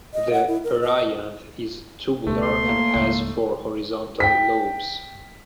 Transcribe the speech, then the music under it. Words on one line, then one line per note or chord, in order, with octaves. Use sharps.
The perianth is tubular and has four horizontal lobes.
D#5
F#5
E4
A#4
D#5
C#2 B2 A3
C6
A#3
C#2 G#2
G5 B6